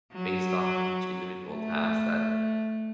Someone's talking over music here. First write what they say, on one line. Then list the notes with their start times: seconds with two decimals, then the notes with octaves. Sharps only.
based off each individual task that
0.13 F#3
1.51 A3